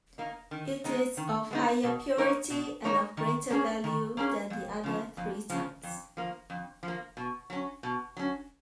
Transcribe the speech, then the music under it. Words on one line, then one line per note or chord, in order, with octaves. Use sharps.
It is of higher purity and of greater value than the other three types.
A#3 D#4
D#3
G#3 B3 D#4
D#3
G#3 B3 D#4
B2
A#3 D#4 A#4 C#5
B2
A#3 D#4 A#4 C#5
D#3
A#3 C#4 G#4
D#3
A#3 C#4 G#4
F2
C#3 F3
F2
C#3 F3
F2
F3 A#3
F2
F3
A#3
B2
F#3 C#4
B2
F#3 C#4